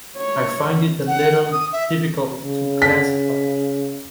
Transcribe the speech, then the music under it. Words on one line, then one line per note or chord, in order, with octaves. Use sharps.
I find it a little difficult to classify.
C#5
F#5
D#6
E5
C#3
B6